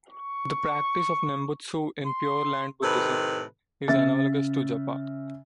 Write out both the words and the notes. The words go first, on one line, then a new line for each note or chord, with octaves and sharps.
The practice of nembutsu in Pure Land Buddhism is analogous to japa.
C#6
C6
A2 C3 D#3 A4 B4
C#3 E5 A6